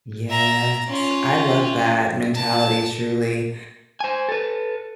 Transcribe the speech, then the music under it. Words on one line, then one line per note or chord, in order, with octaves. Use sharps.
Yes. I love that mentality, truly.
E5 A#5
C#4 F4
A5
C5 G#5
A4 B4